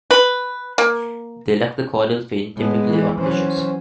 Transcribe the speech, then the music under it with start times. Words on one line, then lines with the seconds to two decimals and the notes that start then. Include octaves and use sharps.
They lack the caudal fin typical of fishes.
0.11 B4
0.78 A#3
2.56 A2 G#3 B3
2.87 E3
3.18 E3 F#3 C#4 C5